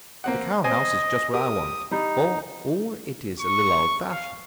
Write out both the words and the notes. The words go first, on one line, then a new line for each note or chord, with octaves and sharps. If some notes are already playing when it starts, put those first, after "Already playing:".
The Carroll house is just what I want, for all it is a little old-fashioned.
A#3 C4 F#5
C4 C5 D#5 G#5
G4 A#4 D#6
G3 D#4
C#6
F5